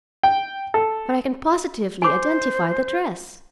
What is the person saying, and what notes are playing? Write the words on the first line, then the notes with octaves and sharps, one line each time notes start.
"But I can positively identify the dress."
G5
A4
C5 G#5 D6